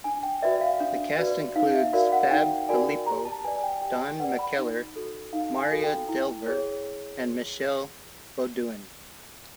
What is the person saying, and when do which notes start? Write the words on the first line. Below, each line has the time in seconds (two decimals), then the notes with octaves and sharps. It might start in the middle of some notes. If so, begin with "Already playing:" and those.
The cast includes Fab Filippo, Don McKellar, Marya Delver and Michelle Beaudoin.
0.04 D4 G#5
0.23 G5
0.42 F#4 B4 D5 E5
0.61 F5
0.80 D4
1.18 F#4 B4 D5
1.55 D#4 F5
1.74 E5
1.93 F#4 A#4 D5 F5
2.12 F#5
2.31 D#4 G5
2.69 F#4 A#4 D5 G#5
3.06 G4 A#5
3.25 A5
3.44 B4 D5 G#5
3.58 G#5
3.63 G5
3.82 G4 G5
4.19 B4 D5 F#5
4.39 B5
4.58 D#4
4.96 F#4 A4
5.33 D#4 F5
5.59 G#5
5.71 F#4 A4
5.84 G5
6.08 E4
6.46 G#4 C#5